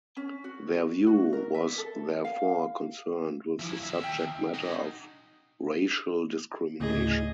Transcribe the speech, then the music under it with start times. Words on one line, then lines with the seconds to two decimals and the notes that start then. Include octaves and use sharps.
Their view was therefore concerned with the subject-matter of racial discrimination.
0.17 C#4
0.44 F#4
1.07 F#4
1.33 A#4
1.55 E5
1.78 A4
2.25 F5
3.59 F3 E4
3.79 D#2 E5
4.03 G5
4.54 D#4 F#4
6.80 D2 A2 C#3 G#4 D#5